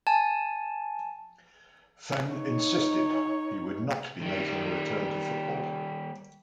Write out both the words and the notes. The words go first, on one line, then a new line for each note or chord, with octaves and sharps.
Fenn insisted he would not be making a return to football.
G#5 A5
D#4 C#5
D#3 G3